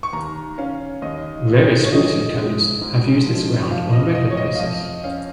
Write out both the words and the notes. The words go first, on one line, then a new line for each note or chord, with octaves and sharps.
Various sporting codes have used this ground on a regular basis.
C#6
D#2 A#5
C#4 F5
D#2 D#5
D#2
C#5
F3 D#5
G#3
G#2
F3
F2 F5
D#5
F2 D#5
C#5
D#5
F5
F2 D#5
C#4 F5